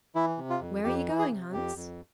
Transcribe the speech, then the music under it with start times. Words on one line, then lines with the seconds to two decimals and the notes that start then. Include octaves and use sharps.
'Where are you going, Hans?'
0.15 E3 E4
0.38 C3
0.50 F4
0.61 F2
0.84 F2 G4
1.07 E3
1.19 G#4
1.30 C3
1.53 F2 G4
1.76 F2